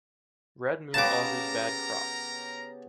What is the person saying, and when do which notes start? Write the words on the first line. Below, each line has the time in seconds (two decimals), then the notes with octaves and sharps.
Red moon augurs bad crops.
0.94 C#3 B3 G4 A#4 A5 A#5 D6